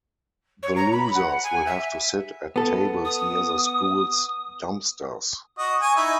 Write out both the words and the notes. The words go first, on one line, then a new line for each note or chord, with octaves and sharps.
The losers will have to sit at tables near the school's dumpsters.
C#5
A#5
B5
F#5
G#5
E5
B3 A4
D#6
F#4 D#5
G#5 C#6
D#4 E4